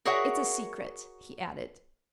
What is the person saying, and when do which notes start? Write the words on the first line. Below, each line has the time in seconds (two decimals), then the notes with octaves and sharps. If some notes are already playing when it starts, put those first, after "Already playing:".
"It's a secret," he added.
0.05 F#4 G#4 A#4 C#5 E5 F#5